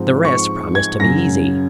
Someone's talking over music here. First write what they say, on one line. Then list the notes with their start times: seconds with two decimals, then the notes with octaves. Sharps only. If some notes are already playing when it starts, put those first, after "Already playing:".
The rest promised to be easy.
Already playing: G#2 F3 G#3 C4 D#4
0.25 C#6
0.75 G#6
1.00 F#2 C#3 F#3 A#6